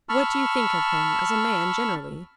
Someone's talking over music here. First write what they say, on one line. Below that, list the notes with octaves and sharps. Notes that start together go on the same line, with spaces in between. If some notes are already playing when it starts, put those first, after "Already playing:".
What do you think of him as a man generally?
A5 B5 C#6 E6 F6